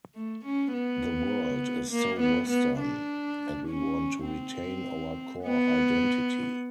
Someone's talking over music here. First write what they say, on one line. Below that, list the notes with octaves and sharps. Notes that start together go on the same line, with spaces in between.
The world is so Western, and we want to retain our core identity.
A3
C#4
B3
A#3
B3
B3
D4
C#4
C4
B3